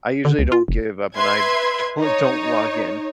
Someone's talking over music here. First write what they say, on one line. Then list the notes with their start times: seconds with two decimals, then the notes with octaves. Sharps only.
I usually don't give up, and I don't don't log in.
0.25 D3
0.39 C#2
0.52 F4
0.68 F1
1.16 B4 E5 C6 G#6
2.00 D#4 C#5